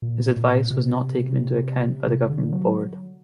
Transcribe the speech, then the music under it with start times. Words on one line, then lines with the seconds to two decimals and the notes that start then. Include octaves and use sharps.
His advice was not taken into account by the Government Board.
0.02 A#2
0.36 A#2
0.70 C3
2.07 C3
2.30 D3
2.53 F#3